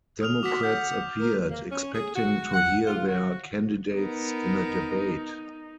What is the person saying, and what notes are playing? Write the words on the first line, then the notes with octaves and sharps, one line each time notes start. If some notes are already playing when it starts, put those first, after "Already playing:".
Democrats appeared, expecting to hear their candidates in a debate.
D#6 F6 F7
F#4 D6 B6
F#5 G6
A#4
A#3
C#4
G#4
F#4
F#5
F4
F#4
B3 D#4 A#4